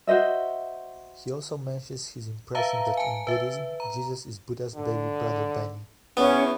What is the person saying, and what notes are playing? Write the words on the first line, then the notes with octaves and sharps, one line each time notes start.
He also mentions his impression that in Buddhism, Jesus is "Buddha's baby brother Benny".
F#4 C5 D#5 E5
B4 E5 F5 A5 A#5
G#5 A5
B4 E5
A#5
D3
E2 B3 C#4